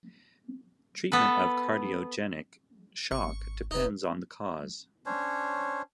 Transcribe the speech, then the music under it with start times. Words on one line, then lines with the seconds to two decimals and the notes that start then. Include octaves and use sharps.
Treatment of cardiogenic shock depends on the cause.
1.12 B3 A4 B4
3.11 G#1 C#6
3.71 E1 D#4 B4
5.06 C#4 D4 C5 C#5